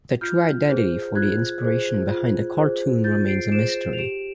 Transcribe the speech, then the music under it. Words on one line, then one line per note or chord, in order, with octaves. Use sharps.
The true identity for the inspiration behind the cartoon remains a mystery.
F4 F6 G6
G#4 C5
F4 F#6 G#6
G#4 C5
F4
G#4 C5
F4 G6 A6
C7 D7
G#4 C5 D7 E7
F7
G4 D7 E7